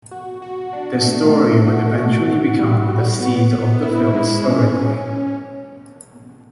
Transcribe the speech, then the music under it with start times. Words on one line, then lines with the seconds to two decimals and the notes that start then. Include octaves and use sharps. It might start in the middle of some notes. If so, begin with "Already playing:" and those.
This story would eventually become the seed of the film’s storyline.
0.11 F#4
0.42 F#4
0.73 D4
1.04 A3
1.35 A3
1.66 F#4
1.97 F#4
2.28 F#4
2.59 G3
2.89 F#4
3.20 B3
3.51 B3
3.82 E4
4.13 G#3
4.44 C#4
4.75 C#4